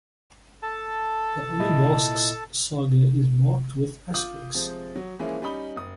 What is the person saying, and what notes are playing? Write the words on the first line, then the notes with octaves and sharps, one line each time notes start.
"The Oni Masks" saga is marked with asterisk.
A4 A5
A#2 E4 D#5
F4 D6 D#6 G6 F#7
C3 F3 G#3
F#3
E3 F3 G#3 A#3 C#4 E4
G3 C#4 D#4 B5 D#6 G7
F#1 D#6